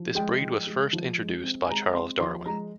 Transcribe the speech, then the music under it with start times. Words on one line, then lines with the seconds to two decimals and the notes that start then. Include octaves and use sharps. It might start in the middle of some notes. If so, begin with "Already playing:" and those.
This breed was first introduced by Charles Darwin.
Already playing: F3
0.15 G#3 G5
0.41 F3
0.67 G#3
0.93 F3
1.18 G#3
1.43 C4
1.65 G#5
1.69 G#3 A#5
1.94 C4 C6
2.20 F3 C6
2.46 G#3 A#5